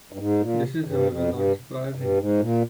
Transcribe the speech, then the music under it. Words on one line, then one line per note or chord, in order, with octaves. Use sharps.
This is, however, not surprising.
G2
G#2
A#2
G2
F2
G2
G2
G#2
A#2